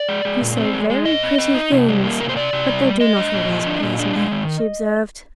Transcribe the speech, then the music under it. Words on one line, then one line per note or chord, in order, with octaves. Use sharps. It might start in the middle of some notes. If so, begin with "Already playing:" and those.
"You say very pretty things; but they do not always please me," she observed.
Already playing: D5
G#3
G#3
A#2
C4
G#3
G#3
A#2 D#5
C4
C4
D#4
C3
G3
A#3
C3 A#4
C5
C3 D5
C3
G3
G3
G#3 D#5
D4
A#2
F3
D4
A#2
D4
G#3
D#3